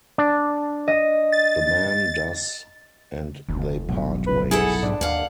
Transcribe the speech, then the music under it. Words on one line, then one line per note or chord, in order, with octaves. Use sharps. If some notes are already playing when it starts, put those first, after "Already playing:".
The man does and they part ways.
D4
D#5
A6
F1 D2
B1 G2
B4
E4 G#4 A4 F#5
G#2 D4
D#2 F5 F#5